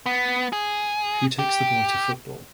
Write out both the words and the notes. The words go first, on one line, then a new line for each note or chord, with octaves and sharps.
Who takes the boy to football?
B3
G#4
G4